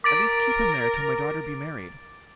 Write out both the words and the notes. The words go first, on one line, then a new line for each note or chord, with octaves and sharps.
"At least keep him there till my daughter be married."
A#4 D6 A6 D7